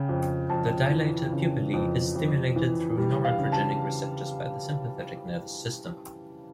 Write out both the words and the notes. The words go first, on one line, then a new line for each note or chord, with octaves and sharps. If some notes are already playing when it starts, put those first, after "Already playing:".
The dilator pupillae is stimulated through noradrenergic receptors by the sympathetic nervous system.
Already playing: C#3 G5
F2
F2 A5
E3
C#3
F2
F2
E3
G3
F5
C#3
A5